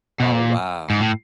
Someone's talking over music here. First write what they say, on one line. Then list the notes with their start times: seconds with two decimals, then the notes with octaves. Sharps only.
Oh, wow.
0.20 B2
0.32 A#2
0.90 G#2
1.00 A2